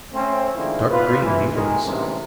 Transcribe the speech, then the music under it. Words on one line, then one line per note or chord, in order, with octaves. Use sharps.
Dark-green needles!
A3 C4 C#4
D3 D#3 F3 G#3 C4 E4
B2 F4 B4
E3
D#3 G#3
A1 G2 C3